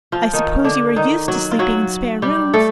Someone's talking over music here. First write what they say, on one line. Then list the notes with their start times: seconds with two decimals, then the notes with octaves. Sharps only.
I suppose you are used to sleeping in spare rooms.
0.12 F3 F4
0.33 D#3 D#4
0.64 D3 D4
0.96 D#3 D#4
1.28 F#3 F#4
1.51 F4
1.59 F#3 F#4
2.22 G3 G4
2.53 A3 A4